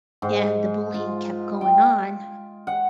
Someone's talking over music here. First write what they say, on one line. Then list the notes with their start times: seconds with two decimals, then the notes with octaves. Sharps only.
and the bullying kept going on,
0.22 G#2
0.94 F4
1.61 G5
2.67 F#5